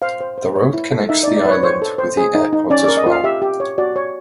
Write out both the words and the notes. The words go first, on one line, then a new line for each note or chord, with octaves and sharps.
The Road connects the island with the airport as well.
C5 F5
C5
C5
C#5
E4
A4
D#4 E5
D5
D#4
D5
B4 C#5
C5 C#5
A4
C5
G#4
D#4
D#4
C#4 D5
D5
A#4
D#5
F4 F5
G4 E5
G4
C#5
F#4 D5
C#5